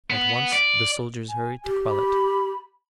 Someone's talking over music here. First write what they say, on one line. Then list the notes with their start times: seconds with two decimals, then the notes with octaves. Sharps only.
At once the soldiers hurried to quell it.
0.10 B3
0.52 D5
1.29 G#5
1.66 G4
1.90 B5